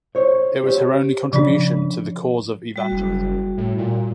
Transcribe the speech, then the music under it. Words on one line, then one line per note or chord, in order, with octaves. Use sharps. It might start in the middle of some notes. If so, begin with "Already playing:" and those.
It was her only contribution to the cause of evangelism.
C5 C#5
G4 C5 C#5
C#3 F3 D4
G3 F#4
F#1
A2
A#2